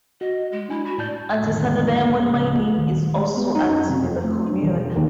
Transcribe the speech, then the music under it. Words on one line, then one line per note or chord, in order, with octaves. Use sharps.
Artisanal diamond mining is also active in the commune.
F#4 D#5
G#3
D4 E4 G#5
F#4 B5
A2 D5 A5 G6
F2 A2 D3 D#3 G#3
C#2 A2 C#3 F3
D#1
G#3
B3
D#4
F#2
C3
F2
A3
D4
E1
D#2